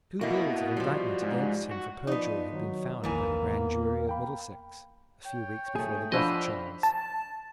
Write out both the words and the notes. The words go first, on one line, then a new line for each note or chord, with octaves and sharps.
Two bills of indictment against him for perjury had been found by the grand jury of Middlesex, a few weeks before the death of Charles.
A#3 E4 F#4 D#5 F#5
F3 G3
G#2
F#4
F3 B3 D#4 D5
D#3 F#3
A#1 E2 D#3 E3 A#3 G#5
E2 B3
F5 G5 B5
C#5 G5
A3 G#4
B2 E3 F3 D4 C5 D#5 F5 B5
A5